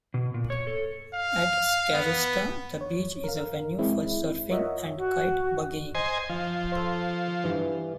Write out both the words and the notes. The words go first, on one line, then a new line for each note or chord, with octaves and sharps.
At Scarista the beach is a venue for surfing and kite buggying.
B2
A#2
C#5
A4
F5
B3
C#5
A#4 F5
G#3 C4 E4
F4 A#4 C#5 D#5 E5 F#5
F#4
C5 D#5 G#5
F3
A4 C5
G2 E3